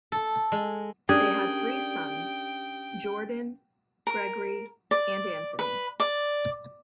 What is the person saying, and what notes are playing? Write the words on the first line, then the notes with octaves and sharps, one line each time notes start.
They had three sons, Jordan, Gregory and Anthony.
A4
G#3
C#4 D4 G4 G#4 A#4 G5
A#4
D5
B4
D5